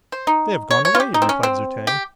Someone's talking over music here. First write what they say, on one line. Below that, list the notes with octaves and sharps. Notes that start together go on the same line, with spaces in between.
"They have gone away," replied Zu-tag.
C5
D#4
C#5
C#5
F4
G4
D#4
C4
C#4
C4
G4